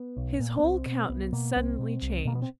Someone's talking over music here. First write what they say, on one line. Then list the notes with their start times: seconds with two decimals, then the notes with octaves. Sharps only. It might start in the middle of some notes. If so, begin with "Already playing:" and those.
His whole countenance suddenly changed.
Already playing: B3
0.17 B1
0.40 A#2
0.59 B3
0.63 C2 C4
0.86 B2
1.09 C2 B3
1.33 B2 A#3
1.56 C2 C4
1.79 B2
2.02 C2
2.25 B2 A#3
2.35 B3
2.42 C4